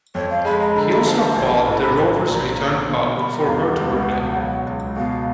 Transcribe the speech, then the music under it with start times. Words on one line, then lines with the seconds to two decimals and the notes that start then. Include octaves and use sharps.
He also bought the Rovers Return pub for her to work in.
0.15 F2 C#5
0.30 F5
0.45 G#3 B5
0.60 A#5
0.76 D3 B5
0.91 A#5
1.05 F3 A5
1.21 A5
1.36 A#1 G#5
1.50 A5
1.66 A2 A#5
1.81 B5
1.95 A2 A#5
2.26 A#1
2.56 A#3
2.86 B2
3.16 G3 B5
3.32 A#5
3.46 E2 F5
3.61 F#5
3.77 C#2
4.07 B2
4.37 F#3
4.67 C#2
4.97 B2 F5